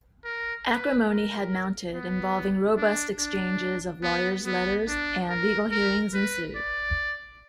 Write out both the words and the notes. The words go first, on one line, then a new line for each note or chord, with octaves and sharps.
Acrimony had mounted, involving robust exchanges of lawyers' letters, and legal hearings ensued.
A#4
B4
A#4
B3
D4
D4
B3
B3
D4
A#4
A#4
B4
D5